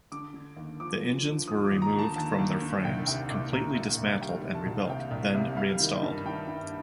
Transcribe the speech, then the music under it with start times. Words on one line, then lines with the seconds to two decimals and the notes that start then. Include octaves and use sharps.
The engines were removed from their frames, completely dismantled and rebuilt, then reinstalled.
0.12 D3 D6
0.34 D3
0.57 D#2
0.80 F3 D6
1.03 F3
1.25 D3
1.48 F3 D#6
1.64 D6
1.71 D#2
1.82 A#5
1.93 D3
1.99 A5
2.16 D#2 A5
2.38 D#2
2.62 D3
2.84 C2 G5
3.07 C3 G5
3.30 C2 D6
3.53 C2 A#5
3.75 C2
3.98 C2
4.08 F5
4.20 G3 G5
4.44 C3
4.55 A5
4.66 C2
4.79 F5
4.89 C3 G5
5.11 C2
5.23 F5
5.35 C3
5.57 G3 F5
5.80 D#3
6.03 G2
6.25 D#3 G5
6.47 G2